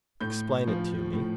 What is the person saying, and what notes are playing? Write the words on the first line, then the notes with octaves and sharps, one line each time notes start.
"Explain it to me."
A2 G6
F3
A2